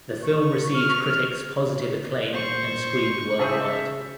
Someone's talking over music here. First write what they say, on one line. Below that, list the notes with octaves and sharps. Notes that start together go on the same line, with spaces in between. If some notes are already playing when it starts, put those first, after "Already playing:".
The film received critics positive acclaim and screened worldwide.
C#6
F6
A#2 C5 C#6
C#3 G#4 E5 A5 D6 G6